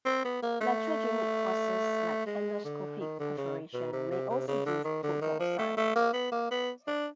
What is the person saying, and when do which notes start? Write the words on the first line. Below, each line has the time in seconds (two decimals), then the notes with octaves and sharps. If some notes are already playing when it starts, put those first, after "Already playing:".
Iatrogenic causes like endoscopic perforation may also give football sign.
0.06 C4
0.25 B3
0.42 A#3
0.61 A3
2.27 G#3
2.64 D3
3.01 D#3
3.20 D3
3.38 C#3
3.74 B2
3.93 C3
4.11 C3
4.30 C3
4.48 C#3
4.66 D3
4.84 D#3
5.03 D3
5.22 D#3
5.40 F3
5.59 A3
5.77 A3
5.96 A#3
6.13 B3
6.32 A#3
6.51 B3
6.88 D4